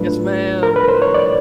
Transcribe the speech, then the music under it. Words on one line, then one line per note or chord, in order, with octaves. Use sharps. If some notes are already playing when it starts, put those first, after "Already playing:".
Yes, ma'am.
Already playing: A2 F#3 A3 D4 F4 B4
A#4
B4
C5
C#5
D5